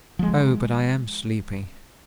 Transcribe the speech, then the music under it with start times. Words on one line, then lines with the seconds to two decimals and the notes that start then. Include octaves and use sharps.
Oh, but I am sleepy!
0.19 F3 G#3